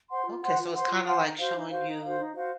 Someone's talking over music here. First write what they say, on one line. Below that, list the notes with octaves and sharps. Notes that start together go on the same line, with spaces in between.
Okay, so, it's kinda, like, showing you,
C5 F#5 C6
F4
C5 F#5 C6
F4
C5 F#5 C6
F4
C5 F#5 C6
D#4
F#4 C5 F5
D#4
F#4 C5 F5
D#4
F#4 C5 F5
D#4
F#4 C5 F5